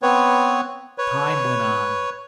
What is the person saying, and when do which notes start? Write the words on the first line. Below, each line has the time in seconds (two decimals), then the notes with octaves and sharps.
Time went on.
0.02 B3 C4 B4 C#5
0.98 B4 C#5